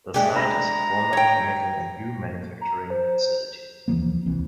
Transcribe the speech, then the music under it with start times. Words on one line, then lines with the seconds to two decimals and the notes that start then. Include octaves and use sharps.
The site is a former chemical and glue manufacturing facility.
0.14 G#3 D4 G4 G#4 G5
0.36 A#5 B5 A#6
1.13 C#5 G5
2.61 A#5
2.90 C5
3.88 D#2 E3 F3 A#3
4.26 E1 C2 E3 C4